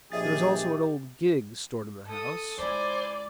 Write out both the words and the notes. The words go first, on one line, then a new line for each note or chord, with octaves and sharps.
There is also an old gig stored in the house.
A#1 G4 G#4 D#5 E5 A6
A4 D#6
C#2 G#3 E4 C5 D5 G#5